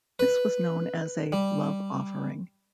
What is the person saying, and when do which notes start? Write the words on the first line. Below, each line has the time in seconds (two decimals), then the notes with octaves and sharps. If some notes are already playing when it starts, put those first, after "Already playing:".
This was known as a "love offering".
0.19 B4
1.32 G3